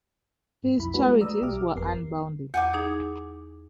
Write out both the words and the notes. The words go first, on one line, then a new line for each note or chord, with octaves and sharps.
His charities were unbounded.
B1 F2 E4 B5
G#3 A3 D4 F#4 G#4 B4
B4 D5 A#5 D#6 E6
B1 G4 E5 D6 F6
G1 F2 B3 A#4 C7
E2 F#5 G#5 D6
D#4 G#4 D#6